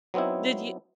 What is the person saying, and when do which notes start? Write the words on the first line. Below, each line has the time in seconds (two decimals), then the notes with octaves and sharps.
Did you
0.14 F#3 B3 C4 D#4 E4